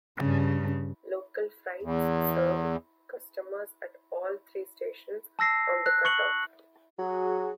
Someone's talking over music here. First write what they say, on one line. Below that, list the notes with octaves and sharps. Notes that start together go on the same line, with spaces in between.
Local freights served customers at all three stations on the Cut-Off.
G2 C#3
E2
A5 E6 A#6 C7
F#6
C#6 C#7 F#7
F#3 F#4 G#4